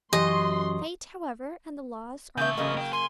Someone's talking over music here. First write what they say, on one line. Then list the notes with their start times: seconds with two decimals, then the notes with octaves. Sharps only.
Fate, however, and the laws are averse.
0.13 F#2 E3 G4 D#5 C6
2.37 C#3 E3 A3 E5 G6
2.57 C#3 F#3 A#3 D#5
2.77 A#4 G5
2.93 G#5 C6